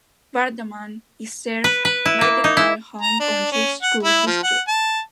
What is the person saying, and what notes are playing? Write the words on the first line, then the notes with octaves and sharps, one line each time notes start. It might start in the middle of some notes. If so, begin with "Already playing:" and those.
Vardaman is served by the Calhoun County School District.
B4
B4
E4
A#3
D#4
E4
A#5
D4
C#4
F#5
E4
F3
F#5
A5